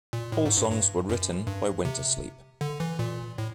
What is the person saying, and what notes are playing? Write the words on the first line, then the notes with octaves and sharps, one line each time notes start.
All songs were written by Wintersleep.
A#2
A2
G#2
G2
G2
F#2
G2
C3
D3
E3
A#2
A2